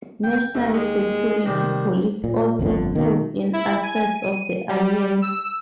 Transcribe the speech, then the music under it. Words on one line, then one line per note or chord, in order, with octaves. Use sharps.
National Security police also froze in assets of the Alliance.
G5
D#2 A3
G#3
C3 D#3 G3
A#2
G1 F2 B2 D3
B2 D#3
E4
G#5
D#7
G3
E6